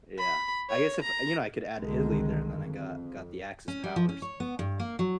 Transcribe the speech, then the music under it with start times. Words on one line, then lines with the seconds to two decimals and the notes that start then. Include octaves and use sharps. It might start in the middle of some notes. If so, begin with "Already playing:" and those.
Yeah, I guess if you know, I could add Italy there and then I got got the Axis powers,
0.19 B5
0.70 C#5
1.02 A#5
1.77 C2 D3 D#3 G#3
2.56 F2
3.68 C#4
3.84 G3
3.96 F3
4.09 C#4
4.22 C#5
4.40 B3
4.59 G2
4.80 A#3
4.99 F#3